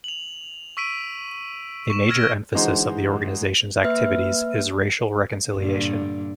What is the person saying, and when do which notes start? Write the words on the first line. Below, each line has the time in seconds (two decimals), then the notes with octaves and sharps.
A major emphasis of the organization's activities is racial reconciliation.
0.04 F7 F#7
0.77 C#6 E6 B6 D7 D#7
1.90 C#6 E7
2.09 E6 F6 G#6 A#6 D7
2.54 D3 E3 G#3 D#4 F#4 C5
3.84 A#3 B4 E5 F6
5.56 G2 A#2 D3